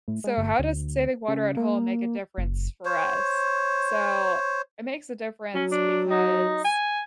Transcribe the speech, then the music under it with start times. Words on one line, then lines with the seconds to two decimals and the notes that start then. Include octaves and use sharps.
so how does saving water at home make a difference for us? So, it makes a difference because
0.08 A2
0.24 G#3
0.37 G1
0.59 D2
1.28 C#3
1.57 A#3
2.38 F#1
2.85 C5 C#5
5.55 F#3 C#4
5.71 D4
6.10 D#4
6.64 G#5